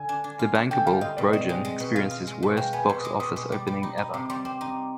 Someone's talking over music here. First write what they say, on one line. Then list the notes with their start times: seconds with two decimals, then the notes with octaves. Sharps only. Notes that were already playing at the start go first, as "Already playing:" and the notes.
The "bankable" Rogen experienced his "worst box-office opening ever".
Already playing: D3 G#5
0.09 D4
0.24 D4
0.39 F4
0.55 D4
0.71 D3 G5
0.86 G3 F5
1.01 F4 D#5
1.17 B2 D5
1.33 C4 D#5
1.49 G#3
1.65 G#3
1.80 B2
1.95 F4 F5
2.11 F4
2.27 G#3
2.43 B2
2.57 G#3 G5
2.73 B3 G#5
2.88 B2 C6
2.99 D#6
3.04 G#3 D6
3.20 B2 D#6
3.35 B2 D#6
3.52 G3 D6
3.67 G3 B5
3.82 D#4 B5
3.98 D#4
4.14 C3 D6
4.26 D6
4.30 G3 C6
4.45 C4
4.61 D#4